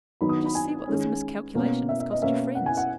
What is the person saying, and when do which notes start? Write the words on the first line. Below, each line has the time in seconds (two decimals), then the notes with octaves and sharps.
Just see what this miscalculation has cost your friends!'
0.21 D#3 F#3 B3 D#4 B5
0.29 D#6
0.46 B5
0.55 G#5
0.87 D#3 G#3 C#4
1.55 B2 A#3 C#4
1.89 E5
2.00 E5
2.11 D#5
2.22 B2 A#3 C#4 E5
2.55 F#5
2.66 G#5
2.77 F#5